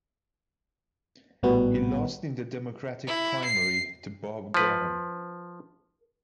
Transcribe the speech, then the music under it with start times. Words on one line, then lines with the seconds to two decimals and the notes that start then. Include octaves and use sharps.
He lost in the Democratic primary to Bob Graham.
1.43 A#1 A2 G3 B3 F#4 B4
3.07 E4
3.45 C7
4.54 F3 B4